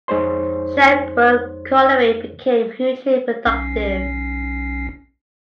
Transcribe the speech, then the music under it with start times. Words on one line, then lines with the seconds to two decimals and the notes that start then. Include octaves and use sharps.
Shirebrook Colliery became hugely productive.
0.08 F2 G#3 D#4 C5 C#5 C6
3.46 B1 C#4 C7